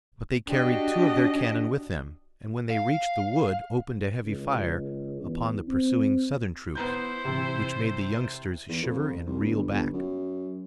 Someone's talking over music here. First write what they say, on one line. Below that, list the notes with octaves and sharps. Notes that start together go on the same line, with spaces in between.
But they carried two of their cannon with them, and when they reached the wood opened a heavy fire upon the pursuing Southern troops, which made the youngsters shiver and reel back.
D4 F#4 G4 D#5
F5
C#2
E2
C4
B3 E4 C5 A#5 G6
C3 E3 C4
E2
F2
C2
G1
G1
F#2